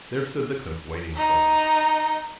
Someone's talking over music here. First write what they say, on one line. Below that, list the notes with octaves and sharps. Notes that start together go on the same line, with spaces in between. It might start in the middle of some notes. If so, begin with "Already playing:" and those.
There stood the cook waiting for them.
D#4